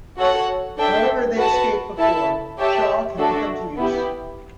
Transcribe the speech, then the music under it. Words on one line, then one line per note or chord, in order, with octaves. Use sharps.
However, they escape before Shaw can put them to use.
F#4 A4 C#5 F#5
D4 A4 E5 G5
F#4 B4 F#5 A5
E4 A4 E5 A5
G4 C#5 E5 A5
A3 D4 F#4 A4
B3 E4 G4